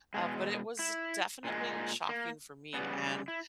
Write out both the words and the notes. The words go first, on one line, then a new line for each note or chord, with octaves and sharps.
uh, but it was definitely shocking for me. And
B2 G#3 G#4
E4
A#2 G#3
A#3
C#3 G3 B3
E4